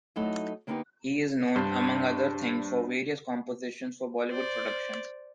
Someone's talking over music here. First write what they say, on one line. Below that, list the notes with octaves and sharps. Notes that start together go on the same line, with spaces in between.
He is known, among other things, for various compositions for Bollywood productions.
F#3 A3 D#4 E4 F#4 A4
D3 A#3 B3 C#4 D#4 G4
G2 D4 C5
C5 D5